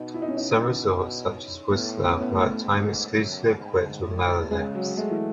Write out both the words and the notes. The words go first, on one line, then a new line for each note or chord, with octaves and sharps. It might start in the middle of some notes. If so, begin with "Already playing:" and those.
Some resorts, such as Whistler were at the time exclusively equipped with Mueller lifts.
Already playing: B2 D#4
E4
D#4
B2 C#4
D#4
A2 B3
B3
C#4
A2 B3
A3
G#2
F#2
G#2
A2
C#3 G#3
F#3
G#3 A3
E3